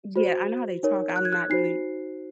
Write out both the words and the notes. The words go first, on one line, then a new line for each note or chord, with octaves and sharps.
Yeah, I know how they talk, I'm not really
F#4 C5
D#4 A#4 C#5
F#6
G#6
F#6
D#4 F#4 C5 C7